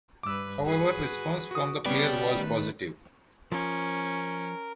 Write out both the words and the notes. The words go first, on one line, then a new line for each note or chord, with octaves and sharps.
However, response from the players was positive.
G2 B4 D6 E6
F#4 G#4 B4
F#4 D#6
C#3 B3 C#4 G4 A4 D5
D#3 A3 B4
F3 C#4 A#4